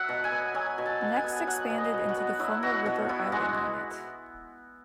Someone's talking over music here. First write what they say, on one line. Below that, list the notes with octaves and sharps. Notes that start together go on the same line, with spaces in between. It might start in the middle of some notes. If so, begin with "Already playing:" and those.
Next expanded into the former River Island Unit.
Already playing: F#3 E5 F#5
B2
G#5
B3
F#3 G#5
B2
A5
B2
G#5
B3
F#3 F#5
B2
D#5
B2
F#4
B3
F#3 E4
B2 F#4
B2 F#4
B3 E4
G#3 F#4